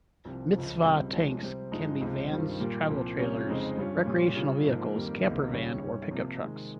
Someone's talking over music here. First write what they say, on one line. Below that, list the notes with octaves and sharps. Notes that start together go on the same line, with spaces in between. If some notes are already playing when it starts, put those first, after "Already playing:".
Mitzvah tanks can be vans, travel trailers, recreational vehicles, campervan or pickup trucks.
C2 C3 F3 C4 F4
C#2 C#3 F3
C#2 C3 G3 C4
C2 C3 F3 G#3 C#4
C3 G3 C4
G2 F3 G#3 D#4
C#2 C3 F3 G#3
G2 D#3 G3 C4 F4
A#2 G3 A#3
C2 A#2 F3
C3 G3 C#4 F4
F2 C#3 G#3 C4 D#4
G2 G3 C#4 F4
A#2 G3 C#4 F4
C#3 G3 C#4 F4
G#2 F3 A#3
F2 D#3 G3 A#3
C#2 C3 D#3 A#3
D#2 C#3 G3 C#4
G#2 G3 C#4
C3 F3 A#3 F4
C3 D#3 G#3